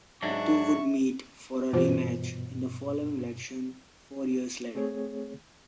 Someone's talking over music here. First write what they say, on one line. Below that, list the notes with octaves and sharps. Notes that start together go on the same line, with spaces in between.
The two would meet for a rematch in the following election four years later.
G#2 F#3 D4 E5 C#6
G2 B2 E3 F4 C5
A3 C4 G#4 C#5